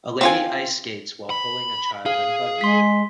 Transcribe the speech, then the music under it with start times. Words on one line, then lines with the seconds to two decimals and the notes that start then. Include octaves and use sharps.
A lady ice skates while pulling a child in a buggy.
0.21 C4 F4 G#5
1.30 B5
2.06 G#4 F5
2.61 G#3 C6 B6